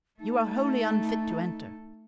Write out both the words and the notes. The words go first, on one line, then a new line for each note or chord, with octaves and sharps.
You are wholly unfit to enter.
A3 D#4 A4